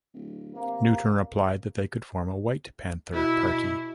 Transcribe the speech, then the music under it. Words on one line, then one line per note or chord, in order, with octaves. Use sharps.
Newton replied that they could form a White Panther Party.
D1
C3 A#3
B2 E4